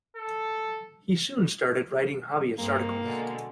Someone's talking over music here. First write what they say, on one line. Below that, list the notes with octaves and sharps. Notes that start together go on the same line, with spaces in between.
He soon started writing hobbyist articles.
A4
G2 G#3 A#3 C4
B2 D3 G#3